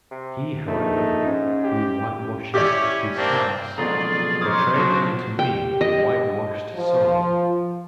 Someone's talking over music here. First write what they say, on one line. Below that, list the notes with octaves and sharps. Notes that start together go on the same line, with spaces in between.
He, however, who whitewasheth his house, betrayeth unto me a whitewashed soul.
C3
A#1 A3 D#4
G#2 C#4
G4
C#4 E4 G4 C#5 D5
A#3 C4 D4
B1 F2 B2 F4 G#4 D5 A#5
D#4 C5 C#5 D6 D#6 F6 G#6
C#3 F3 F#3 D4 F#4
G4 G5
D#5
F3